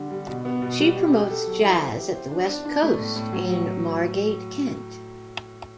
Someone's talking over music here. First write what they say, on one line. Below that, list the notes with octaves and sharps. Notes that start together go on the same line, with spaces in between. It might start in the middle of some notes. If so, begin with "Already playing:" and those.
She promotes Jazz at the Westcoast in Margate, Kent.
Already playing: D3 G3
G3
B2
B3
B2
G3
G4
G4
A4
F#3
E4
C5
G4
C5
D4
D4
D4
A3
A2
A2
F#3
F#3